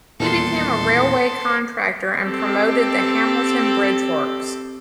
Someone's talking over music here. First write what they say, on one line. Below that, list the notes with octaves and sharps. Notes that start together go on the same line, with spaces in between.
He became a railway contractor and promoted the Hamilton Bridge Works.
D#1 E2 A#2 A4 C6
C4 G4 A4